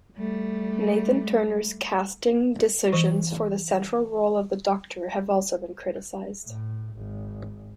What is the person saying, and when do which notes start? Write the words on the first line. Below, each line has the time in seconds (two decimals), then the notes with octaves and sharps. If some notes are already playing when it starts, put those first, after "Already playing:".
Nathan-Turner's casting decisions for the central role of the Doctor have also been criticised.
0.17 G3 A3
2.92 E3 C5 C#6
6.45 A2
6.95 G#1